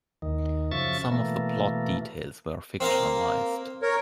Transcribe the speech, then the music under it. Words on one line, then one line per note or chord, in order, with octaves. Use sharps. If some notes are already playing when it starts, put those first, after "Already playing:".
Some of the plot details were fictionalized.
D#2 D#3
F#2 C#3 F3 E5 C#6 A6
B2 E3 A3 A#3
A#3 C4 F5 A#5
A#4 C#5